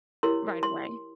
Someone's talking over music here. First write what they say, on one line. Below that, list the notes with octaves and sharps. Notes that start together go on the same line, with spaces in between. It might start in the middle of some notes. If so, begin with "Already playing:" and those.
right away.
E4 G4 A#4 C#5 C6
C6